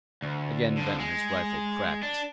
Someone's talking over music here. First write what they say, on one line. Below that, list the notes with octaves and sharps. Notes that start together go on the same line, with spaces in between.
Again Ventnor's rifle cracked.
D2
D3 F3
G#3
D4